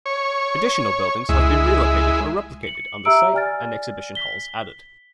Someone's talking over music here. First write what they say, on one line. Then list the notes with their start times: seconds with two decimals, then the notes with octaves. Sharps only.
Additional buildings have been relocated or replicated on the site and exhibition halls added.
0.06 C#5
1.29 C#2 G#3 E4
2.63 C#7 F#7
3.05 G4 E5 A#5 E6 D7
3.33 D5 G#5 F6 A6
4.15 B6 G7